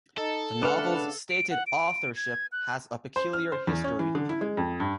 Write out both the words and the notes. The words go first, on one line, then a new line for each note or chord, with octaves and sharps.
The novel's stated authorship has a peculiar history.
D#4 A4
C#3 A3 D4 B4 F5 F#5
D7
F#5
D7
G#6
F#6
C5
F6
C5
E2
C#4
E3
D3
E4
G#3
F2
G2